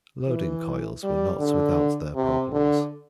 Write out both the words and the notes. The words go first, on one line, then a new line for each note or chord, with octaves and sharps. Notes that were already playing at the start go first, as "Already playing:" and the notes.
Loading coils were not without their problems.
E3
G3
D3
C3
D3